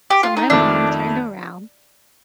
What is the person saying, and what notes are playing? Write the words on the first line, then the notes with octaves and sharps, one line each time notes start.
So my mom turned around
G4
F4
D#4
F2 D#3 A3 D4